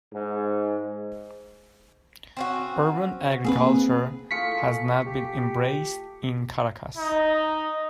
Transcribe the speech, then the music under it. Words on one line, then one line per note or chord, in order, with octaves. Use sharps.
Urban agriculture has not been embraced in Caracas.
G#2
C4 C#4 F#4
A#3 C4 G#4 A4 B4
A3 F4 G#4 B6 C#7
G4
D#4